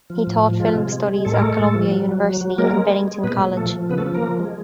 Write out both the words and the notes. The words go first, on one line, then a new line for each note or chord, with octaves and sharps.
He taught film studies at Columbia University and Bennington College.
F3
A2
F3
G#3 F4
C3
G#3
G#3
A2 A4
A#4
G#3 A3 A4
A2
F3
F#3
F#3
F#3
F#3
G#3 A#3 A#4
G#3
G#3
G#3
A#2 B3 B4
A#2
F3 A3 A4
F3
C#3 B3 B4
A3 A4
F3
A#3 A#4
F3
G#3